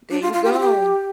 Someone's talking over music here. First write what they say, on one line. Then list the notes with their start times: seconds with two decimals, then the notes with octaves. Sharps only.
There you go.
0.10 D4
0.22 F4
0.33 F4
0.45 G4
0.52 F4
0.60 G4